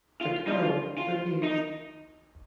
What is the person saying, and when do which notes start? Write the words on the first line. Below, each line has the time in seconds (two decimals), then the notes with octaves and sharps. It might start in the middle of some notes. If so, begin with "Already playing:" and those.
The colonel refused.
0.21 F4
0.47 D#4
0.52 F4
0.98 F4
1.43 D#4